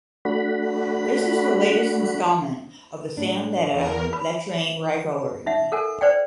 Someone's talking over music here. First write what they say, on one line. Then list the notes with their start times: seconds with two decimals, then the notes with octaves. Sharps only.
This is the latest installment of the San Beda–Letran rivalry.
0.25 A3 D4 F#4 B5
3.17 A2 D4
3.72 E2 A#4
4.13 B4 B5
5.46 D#4 E5 F#5
5.72 A4 A#4 F#5 G#5
6.01 B4 C5 D5 F#5 G5